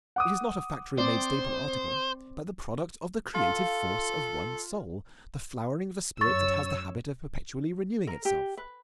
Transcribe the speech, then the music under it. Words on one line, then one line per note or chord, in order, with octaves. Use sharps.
It is not a factory-made staple article, but the product of the creative force of one soul, the flowering of a spirit that has the habit of perpetually renewing itself.
F#5 D6 D#6
C4 C5 D5
F4 A4
F#2 C#5 C#6 E6 A6
A#4
G4
B4